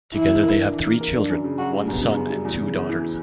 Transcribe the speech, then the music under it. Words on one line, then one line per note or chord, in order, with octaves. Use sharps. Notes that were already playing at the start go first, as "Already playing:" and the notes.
Together they have three children; one son and two daughters.
E3 E4
A#3
A#4
D4
E3
A#3
A#4
D4
F#2
C#3
F#2 F#4
G3
F#2 B3
C#3
F#2
G3
E2
C#3
B3
E3